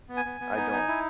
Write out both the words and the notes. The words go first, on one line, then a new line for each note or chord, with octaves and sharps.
I don't
B3
G#5
B3
B3
D#4
D#4
E4